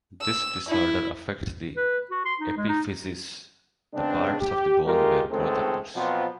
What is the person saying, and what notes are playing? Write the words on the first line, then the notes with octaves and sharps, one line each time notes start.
This disorder affects the epiphyses, the parts of the bone where growth occurs.
E6
E4
B4
F#4
C6
D#4
G#3
D#4
C#3 G#3 B3 C4 D4
G4
G#3 A3 F4 G4 A#4
C#2 D#3 G#3 A3 C4 A4
B2 F3 F#3 B3 C4 F4